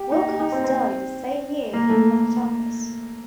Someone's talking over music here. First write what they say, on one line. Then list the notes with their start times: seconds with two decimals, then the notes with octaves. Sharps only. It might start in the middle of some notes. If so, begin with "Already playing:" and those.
Wilcox died the same year he left office.
Already playing: G4
0.12 D#4
0.28 G4
0.40 D#4
0.52 C4
0.64 C4
1.73 A#3
1.90 A3